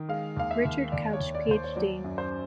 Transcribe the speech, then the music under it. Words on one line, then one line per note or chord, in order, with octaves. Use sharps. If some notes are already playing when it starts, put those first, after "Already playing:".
Richard Couch, PhD.
Already playing: D#3
G#3 F5
D#2 F5
E5
D#2
D#2 D5
C#5
D#2
D5
D#2 C5
C#5
F#3 D5
F#2
C5